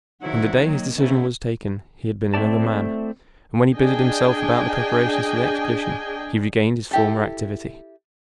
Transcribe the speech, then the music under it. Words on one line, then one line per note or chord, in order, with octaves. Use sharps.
From the day his decision was taken he had been another man, and when he busied himself about the preparations for the expedition he regained his former activity.
D2 D#3 F#3 E4 F#5
D#3 F#3 A#3
G#2 B2 A3 A#3 C#4 E4
A3 C4 E4 D5 A5
D4 G#4 D#5 G5 G#5
E4 G4 A4